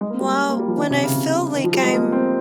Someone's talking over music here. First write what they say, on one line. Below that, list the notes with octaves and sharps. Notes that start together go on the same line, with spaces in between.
well, when I feel like I'm
G#3
A#3
G3
A#3
G3
F3
D#3
C3
C#3
C3
D#3
F3
G3
G#3
A#3
C4